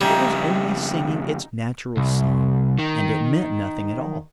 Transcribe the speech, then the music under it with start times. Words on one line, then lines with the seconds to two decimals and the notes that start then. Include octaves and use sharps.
It was only singing its natural song, and it meant nothing at all.
0.01 F2 C#3 G3 D#4 E5 G#5
1.97 C2
2.79 D#3